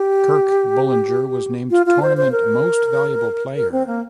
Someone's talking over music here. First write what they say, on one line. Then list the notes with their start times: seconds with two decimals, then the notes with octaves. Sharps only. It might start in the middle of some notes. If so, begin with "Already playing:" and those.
Kirk Bullinger was named Tournament Most Valuable Player.
Already playing: G4
1.71 F4
1.86 F4
2.02 C5
2.17 C5
2.32 A#4
3.56 A#4
3.72 C4
3.87 A#3